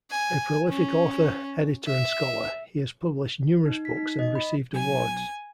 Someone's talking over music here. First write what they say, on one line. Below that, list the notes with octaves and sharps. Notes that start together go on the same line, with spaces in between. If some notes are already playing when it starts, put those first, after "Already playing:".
A prolific author, editor, and scholar, he has published numerous books and received awards.
G#5
C#4
E5
D#4
B6
D#4
D#5
B5
B1 G#5